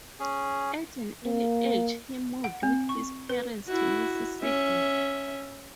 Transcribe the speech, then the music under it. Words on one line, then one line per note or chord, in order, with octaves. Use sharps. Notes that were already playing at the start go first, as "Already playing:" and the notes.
At an early age he moved with his parents to Mississippi.
C#4 G#4
A#3
F#5
C4
C#6
B4
E4 F#4
C#4 E5